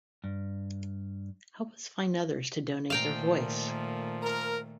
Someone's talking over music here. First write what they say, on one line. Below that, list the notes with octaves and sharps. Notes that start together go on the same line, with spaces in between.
Help us find others to donate their voice!
G2
A#2 D#3 F3 A3 F5 G5 A#5
A#4